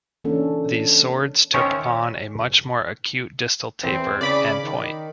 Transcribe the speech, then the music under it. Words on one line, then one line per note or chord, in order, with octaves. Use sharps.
These swords took on a much more acute distal taper and point.
E3 A#3 C#4 D4 A4
D#3 C#4 A#4 C5 C#5 E5
E2 C4
C#3 D5 B5 D6
D#3